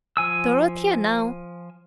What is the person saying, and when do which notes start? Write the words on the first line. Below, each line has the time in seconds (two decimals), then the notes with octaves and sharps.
Dorothea, now.
0.17 F3 G#5 E6